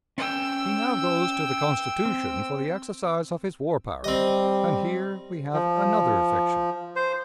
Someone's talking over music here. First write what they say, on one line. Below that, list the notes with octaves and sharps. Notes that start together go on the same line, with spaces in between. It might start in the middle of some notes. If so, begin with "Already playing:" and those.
He now goes to the Constitution for the exercise of his war power, and here we have another fiction.
C#4 G5 G#5 E6 G6
C4
G3 C4 D#5
F3
C5